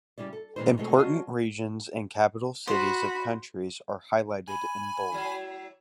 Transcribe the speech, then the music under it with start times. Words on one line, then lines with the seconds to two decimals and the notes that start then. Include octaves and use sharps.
Important regions and capital cities of countries are highlighted in bold.
0.18 C#3 G3 E4 D5
0.33 A4
0.56 A#2 D#3 E3 G#3 C4 C5
0.78 B2 F#3 G#3 A3 C4
0.95 F#3 G3 F4 D#5 A5
2.67 F#4 C5 B5
4.48 G#5 B5
5.12 F#3 A3 E4